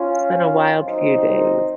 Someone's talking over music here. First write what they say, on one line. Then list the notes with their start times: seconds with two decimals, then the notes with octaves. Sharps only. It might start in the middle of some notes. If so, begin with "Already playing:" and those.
it's been a wild few days.
Already playing: C#4 F4
0.84 F2 D#3 F#3 C4 D#4